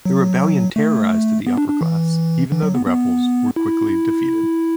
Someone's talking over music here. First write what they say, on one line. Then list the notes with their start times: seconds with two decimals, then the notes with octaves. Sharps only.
The Rebellion terrorized the upper classes, even though the rebels were quickly defeated.
0.05 F#3
0.76 A3
1.47 B3
1.57 D4
1.70 D4
1.81 E3
2.52 E3
2.63 F#3
2.75 B3
2.87 B3
3.56 E4